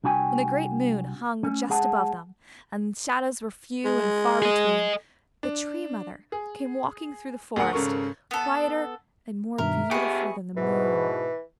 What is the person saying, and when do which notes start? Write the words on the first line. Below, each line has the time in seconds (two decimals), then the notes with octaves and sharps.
When the great moon hung just above them, and shadows were few and far between, the Tree Mother came walking through the Forest, quieter and more beautiful than the moon.
0.04 C2 D4 F#4 G5 G#5
1.43 A3 C#4
1.69 G#3 G#4 F#5 A5
3.85 G#3
4.42 G#4 D#5
5.43 D4
6.32 G#4
7.56 D2 G#4 A#4 F#5 D#6
7.73 G#1 C#3 A4 A#4 C#6
8.31 B3 A4
9.58 G2 B2 D#3 A#4 E5
9.91 B3 G4 G#4 D#5 B5 C#6 C#7
10.57 G#2 B2 E3